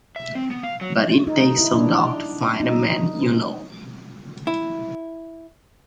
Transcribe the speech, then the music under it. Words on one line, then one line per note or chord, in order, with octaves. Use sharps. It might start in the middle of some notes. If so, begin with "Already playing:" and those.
But it takes a dog to find a man, you know.
E5
C4
B3
F5
F#3
D#4
E4
D4
D#4
E4